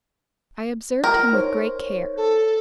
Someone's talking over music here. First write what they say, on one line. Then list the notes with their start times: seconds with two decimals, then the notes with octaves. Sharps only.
I observed him with great care.
1.04 A#4
1.33 D#4 C5 C#5
2.16 A4